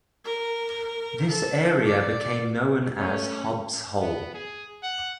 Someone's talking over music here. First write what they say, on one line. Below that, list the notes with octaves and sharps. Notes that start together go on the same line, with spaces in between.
This area became known as "Hobbs Hole".
A#4
A4
D5
A3 C#4
B3
G#4
F#5